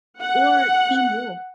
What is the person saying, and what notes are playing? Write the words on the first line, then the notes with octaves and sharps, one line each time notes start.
or Teen Wolf.
F#5